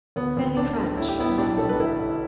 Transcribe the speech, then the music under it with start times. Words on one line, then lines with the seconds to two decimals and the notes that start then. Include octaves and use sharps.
Fanny French, her name.
0.16 D2 B3
0.37 D2
0.57 A1 D4
0.76 A3
0.97 A1 E4
1.09 G4
1.18 A1 B3 E4
1.37 B1 D4 G4
1.58 B1 A4
1.69 B4
1.79 G1 E4 A4
1.99 G1